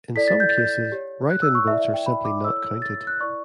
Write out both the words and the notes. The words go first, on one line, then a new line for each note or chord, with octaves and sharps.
In some cases, write-in votes are simply not counted.
E4 A4 D5 B6
A6
G6
A6
G6
G4 C#5
F#6
E6
C#6
E4 B4 D5 E5
E5
G5
B5
D6
E4 A4 C#5 E6
A6
F#6
E4 B4 D5 C#6